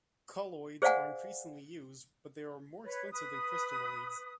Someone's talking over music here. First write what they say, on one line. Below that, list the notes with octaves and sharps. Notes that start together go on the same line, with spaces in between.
Colloids are increasingly used but they are more expensive than crystalloids.
G#4 C5 D5 F5 F#5 G#5
B4 C#5
B4 D#6